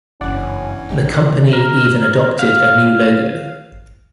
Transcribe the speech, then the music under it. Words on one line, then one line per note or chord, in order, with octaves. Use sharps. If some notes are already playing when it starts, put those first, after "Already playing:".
The company even adopted a new logo.
F#1 E2 G2 E3 C#4 D4 D5 F#5
A#1 D#4 G4
A#4
F5